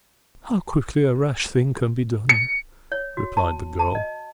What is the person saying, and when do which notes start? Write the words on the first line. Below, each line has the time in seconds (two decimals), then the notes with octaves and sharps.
"How quickly a rash thing can be done!" replied the girl.
2.29 C#7
2.92 C#5
3.17 F#4
3.37 A5
3.79 A5
3.95 D#5